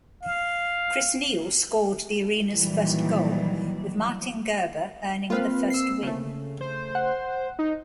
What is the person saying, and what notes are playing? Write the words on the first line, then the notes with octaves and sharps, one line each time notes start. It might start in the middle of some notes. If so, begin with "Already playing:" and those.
Chris Neil scored the arena's first goal, with Martin Gerber earning the first win.
F5
A#2 D#3 E3 F#3 G3
A#3 C4 F4 B4 F5
E6 C7
C#3 A3
C5 G6
F#5
D#4